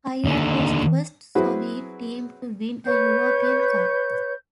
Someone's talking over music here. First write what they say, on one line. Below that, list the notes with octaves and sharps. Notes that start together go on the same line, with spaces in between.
Kairat was the first Soviet Team to win a European cup.
D#2 D3
F#3 C4 E4 F#4 G#4 B4
B4 C#5 G6